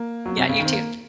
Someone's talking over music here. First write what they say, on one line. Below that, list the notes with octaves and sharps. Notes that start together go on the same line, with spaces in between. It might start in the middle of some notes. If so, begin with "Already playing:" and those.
Yeah, you too.
Already playing: A#3
F#3
C3
C#3
D#3
C4
A#3